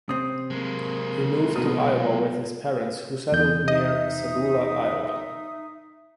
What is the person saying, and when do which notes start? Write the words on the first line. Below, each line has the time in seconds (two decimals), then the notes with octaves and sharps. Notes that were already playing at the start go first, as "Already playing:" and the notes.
He moved to Iowa with his parents, who settled near Sabula, Iowa.
0.09 C3 C4 D#6
0.51 G#3 A#3
1.56 B2 F#4 A#4
3.32 E2 G#4 G6
3.68 D#4 D#5 E5 D#6